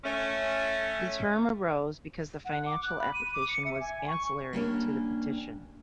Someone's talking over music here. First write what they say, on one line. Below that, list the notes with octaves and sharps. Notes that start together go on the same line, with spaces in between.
The term arose because the financial application was 'ancillary' to the petition.
A3 C#4
F#5
D6
F#6
B5
D#7
D6
C#7
E5
G#5
C#6
G3 A#3 C#4 D4